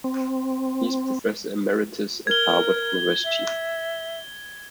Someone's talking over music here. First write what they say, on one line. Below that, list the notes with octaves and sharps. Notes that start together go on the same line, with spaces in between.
He is professor emeritus at Harvard University.
C4
A#4 G#6 G7
E5